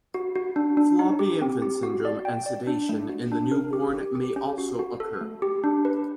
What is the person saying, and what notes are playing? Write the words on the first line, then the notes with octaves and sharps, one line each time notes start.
Floppy infant syndrome and sedation in the newborn may also occur.
F#4
F#4
D4
D4
D#4
G4
C4
G4
F#4
D5
G5
D5
D4
A3
F#4
D4
A#4
G4
G4
G4
C#4
F#4
F#4
A4
A3
G4
D4
B4